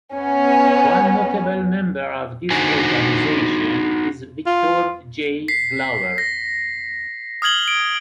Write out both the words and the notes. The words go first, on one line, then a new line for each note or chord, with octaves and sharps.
One notable member of this organization is Victor J. Glover.
B3 C#4
D4 D#4 F#4 C5 G#5
F4
B6 C7
A#6
D#6 F6 G#6 F#7 G7
D7